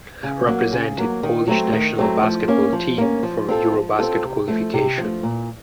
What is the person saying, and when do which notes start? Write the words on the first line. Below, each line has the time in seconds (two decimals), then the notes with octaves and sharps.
Represented Polish national basketball team for Eurobasket qualification.
0.23 C#3
0.47 F#3 A#3
0.72 C#3
0.98 F#3 A#3
1.23 D#3
1.47 F#3 A3 C4
1.73 D#3
1.98 F#3 A3 C4
2.23 F3
2.48 A#3 C#4
2.72 F3
2.98 A#3 C#4
3.23 F3
3.48 C4 F4 A4
3.73 F3
3.99 C4 F4 A4
4.24 C3
4.48 F3 A3
4.74 C3
4.98 F3 A3
5.23 A#2